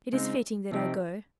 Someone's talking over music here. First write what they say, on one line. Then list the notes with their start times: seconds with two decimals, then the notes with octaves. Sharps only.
It is fitting that I go.
0.13 C#3 G#3 C4 D#4
0.72 C3 F3 C4 D#4 G4